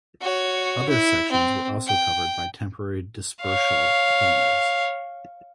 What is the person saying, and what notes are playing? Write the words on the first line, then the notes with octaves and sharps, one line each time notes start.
Other sections were also covered by temporary dispersal hangars.
F#4 C#5
E4
C4
G5
C#5 F5